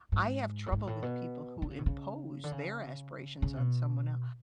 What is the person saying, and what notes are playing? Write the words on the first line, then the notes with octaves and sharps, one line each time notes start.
I have trouble with people who impose their aspirations on someone el
G#2
A2
G#2
A2
B2
D3
C#3
B2
C#3
D3
C#3
C#3
B2